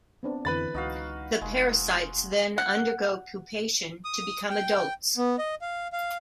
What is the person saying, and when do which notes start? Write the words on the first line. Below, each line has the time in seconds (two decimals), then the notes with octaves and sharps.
The parasites then undergo pupation to become adults.
0.23 B3 C4 D4
0.45 F2 D3 E3 B4 B5 A6
0.74 C#2 D#4 F#4 F5
1.42 F1 G#3
2.58 F#5
4.05 D#6
4.50 G5
5.17 B3
5.39 D#5
5.61 F5
5.93 F5